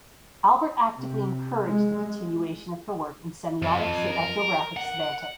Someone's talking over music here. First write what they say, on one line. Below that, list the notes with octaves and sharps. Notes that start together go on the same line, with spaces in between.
Albert actively encouraged the continuation of her work in semiotics and ethnographic semantics.
C3
G#3
F2
A#4
F#5